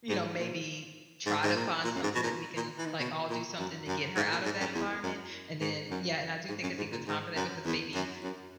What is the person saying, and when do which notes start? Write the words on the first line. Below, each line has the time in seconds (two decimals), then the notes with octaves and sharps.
you know, maybe try to find something that we can, like, all do, something to get her out of that environment, and then, yeah, and I do think it's even time for that because maybe,
0.09 G#2
0.39 A#2
1.26 G#2
1.43 G#2
1.55 A#2
1.84 A#2
1.95 F#2
2.03 G#2
2.15 B2
2.23 A#2
2.56 A#2
2.78 E3
2.86 D#3
3.00 B2
3.29 A#2
3.59 F#2
3.87 F#2
4.16 G#2
4.31 A#2
4.44 G#2
4.60 F#2
4.74 E2
5.03 F#2
5.61 G#2
5.90 F#2
6.49 G#2
6.63 F#2
6.78 G#2
6.92 A#2
7.07 G#2
7.36 F#2
7.65 E2
7.94 F#2
8.23 F#2